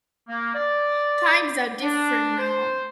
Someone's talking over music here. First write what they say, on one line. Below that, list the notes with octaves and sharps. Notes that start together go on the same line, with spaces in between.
Times are different now.
A#3
D5
D4
C5